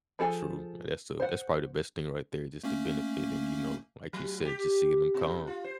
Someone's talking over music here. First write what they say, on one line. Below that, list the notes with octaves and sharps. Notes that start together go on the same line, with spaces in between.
true. That's, uh that's probably the best thing right there, just the benefit and, you know, like you said, just seeing them calm.
F3 G#4 A4 G#5
C5 F#5
A3 A#3 C#4
F#3
G4
B2
F4
C5